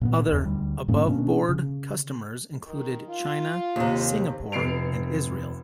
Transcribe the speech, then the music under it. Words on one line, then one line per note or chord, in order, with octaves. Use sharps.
Other "aboveboard" customers included China, Singapore and Israel.
A#2 A#3 B3
E1 D#2
D2 G3
G#2 B2 A#3 C#4
B2 A#3 C#4 D4
C#3
D#3
F4
D#2 C3
F1 B3 C7 D7 F7